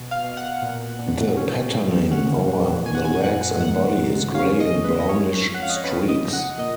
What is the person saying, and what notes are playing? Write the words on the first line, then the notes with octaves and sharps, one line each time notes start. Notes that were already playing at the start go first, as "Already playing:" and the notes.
The patterning over the legs and body is grey and brownish streaks.
Already playing: B2
F5
B2
F#5
A#2
A#2
C#4
G#2
C#4 F#5
A#2
C#4 G#5
F#5
G#5
F#2 F#5
G#2 F#5
G#2
C#4 F5
D#5
G#2
B4
D#5
C#4 C#5
F2
F#5
F5
D#5
C#5
C#4 B4
D#5
C#3
F#5
A#2 D#5